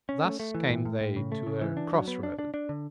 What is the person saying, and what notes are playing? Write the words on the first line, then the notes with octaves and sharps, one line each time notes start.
Thus came they to a crossroad.
C#4
A3
A3
E3
A2
A2
A2
C#3
A3
C#3
E3
D4
F#3
B3
D4
D4
D4
D3